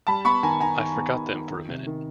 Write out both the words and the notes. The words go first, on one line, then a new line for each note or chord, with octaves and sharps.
I forgot them for a minute.
G3 A5 B5
B3 B5 C#6
D#3 G#5 A#5
D#3 G#5 A#5
D#3
B3
D#3
D#3
D#3
C3
D#3